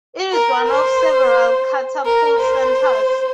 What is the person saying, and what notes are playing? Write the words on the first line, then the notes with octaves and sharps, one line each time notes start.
It is one of several Catapult centres.
A#4
C5
A#4
C5